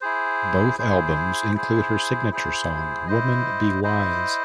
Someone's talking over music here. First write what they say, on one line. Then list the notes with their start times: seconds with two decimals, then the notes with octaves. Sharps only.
Both albums include her signature song, "Women Be Wise".
0.01 E4 G#4 C5
0.78 E4 G#4 C5
1.54 E4 G#4 C5
2.31 E4 G#4 C5
3.07 E4 C5 D#5
3.84 E4 C5 D#5